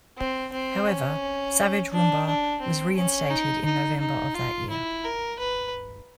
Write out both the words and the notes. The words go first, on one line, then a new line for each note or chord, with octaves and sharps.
However, Savage-Rumbaugh was reinstated in November of that year.
C4
C4
C#4
D4
D4
C4
C#4
D#4
D#4
D#4
F4
E4
A#4
B4